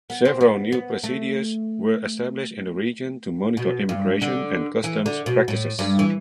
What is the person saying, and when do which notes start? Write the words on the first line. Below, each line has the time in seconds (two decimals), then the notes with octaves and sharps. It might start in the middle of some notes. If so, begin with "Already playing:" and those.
Several new presidios were established in the region to monitor immigration and customs practices.
0.10 B3
0.25 C4
0.41 B3
0.72 B3
1.04 A3
3.57 B2
3.89 G2
4.22 D3
4.84 E3
5.06 D3
5.26 B2
5.48 A2
5.79 G2
5.99 E3